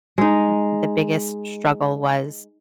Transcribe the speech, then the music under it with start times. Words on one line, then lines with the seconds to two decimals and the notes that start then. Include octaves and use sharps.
m the biggest struggle was
0.18 G#3 D#4